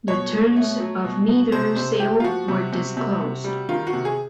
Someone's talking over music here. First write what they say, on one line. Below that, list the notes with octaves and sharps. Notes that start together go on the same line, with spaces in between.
The terms of neither sale were disclosed.
B2 C#5
B2
A3
F#3
B2
B2
C3 C5
C3 C5
A3 G4
F4
F3 F#4
C3
C3
C3
C3
G3
D#3 F4
F#4
C3
G#4